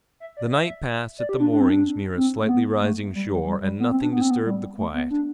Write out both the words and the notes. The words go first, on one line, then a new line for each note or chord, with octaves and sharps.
The night passed at the moorings near a slightly rising shore, and nothing disturbed the quiet.
E5
D5
E5
D5
G4
D4
D4
C4
D4
C4
A3
B3
A3
G3
F#3
G3
G3
B3
C4
D4
B3
C4
B3
G3
A3
B3
D4